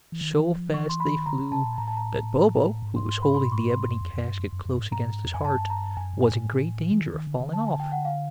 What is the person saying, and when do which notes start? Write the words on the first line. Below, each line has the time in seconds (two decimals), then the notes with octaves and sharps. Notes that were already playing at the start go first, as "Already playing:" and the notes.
So fast they flew that Bobo, who was holding the ebony casket close against his heart, was in great danger of falling off.
0.12 E3
0.21 D#3
0.40 E3
0.56 F3
0.74 E3 C#6
0.89 C6
1.00 B5
1.14 D#3
1.26 D3 A#5
1.39 C#3
1.52 C3 A5
1.65 A#2
1.78 A2 A#5
1.88 A5
1.97 A#5
2.82 G#2
2.96 C6
3.09 C6
3.22 B5
3.35 C6
3.52 C#6
3.70 C6
3.88 G2
4.01 F2
4.14 F2
4.26 G2
4.40 F#2
4.53 F#2
4.65 F#2
4.79 G#2
4.92 G#2 A#5
5.25 F2
5.34 F#2 G#5
5.44 G2 A5
5.70 A#5
5.97 F#2 G#5
6.13 G2
6.22 G#5
6.31 G#2
6.49 A2
6.91 E3
7.01 D#3
7.14 D#3
7.27 D3
7.40 D3
7.53 A5
7.67 G#5
7.80 G5
7.92 F#5
8.05 F5